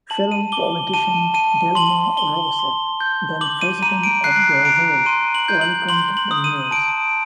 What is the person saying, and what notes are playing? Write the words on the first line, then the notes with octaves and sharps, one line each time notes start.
Fellow politician Dilma Rousseff, then president of Brazil, welcomed the news.
A5 F#7
D#7
D6 G7
A5 D#7
A5 D#7
C6 F#7
C6 G7
C6
G6
D6 F#7
D#7
A#5 D#7
D7
F#6 C7
A#5 D7
C6 D#7
F#7
G6
F#7
C6 F#7
F#7
D#6
D#7
A5 D7